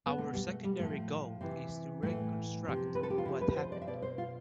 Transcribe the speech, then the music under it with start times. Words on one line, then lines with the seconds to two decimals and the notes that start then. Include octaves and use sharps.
Our secondary goal is to reconstruct what happened.
0.06 B3
0.18 B2 A3
0.33 G3
0.48 A3
0.64 G3
0.79 A2 F3 A3
1.41 C3 E3
2.02 A2 E3 A3
2.64 C3 F3
2.95 B4
3.03 A4
3.10 G4
3.18 F4
3.26 C3 F3 E4
3.41 B4
3.51 B4
3.56 C5
3.72 D5
3.82 E5
3.87 B2 D5
4.02 C5
4.18 F4